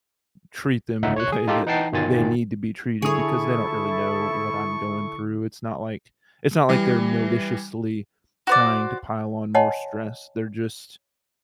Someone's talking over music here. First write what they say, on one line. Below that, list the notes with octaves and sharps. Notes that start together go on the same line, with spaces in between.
treat them in a way that they need to be treated because they don't really know what I'm going through. It's not like it's not like they're maliciously trying to pile on more stress. They're just
G1 C#2 D#4 E5 F#5
C#5 C#6 F#6
G#4
D#4 F4 G4 A4
E3 D#4 F#5 G5 A5 C7
G1 B2 D#3 F4 G#5 A6
D3 E4 G#4 A4 C#5 C#6 D#6
E3 G3
F#4 C5 D5
C#5 D#5 F#5 G#5 A5 C6